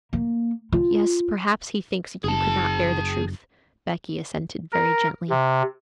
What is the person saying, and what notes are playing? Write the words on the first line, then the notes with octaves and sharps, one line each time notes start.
'Yes, perhaps he thinks you could not bear the truth,' Becky assented very gently.
A#3
F4
F#1 G#4 A5
A#4
C3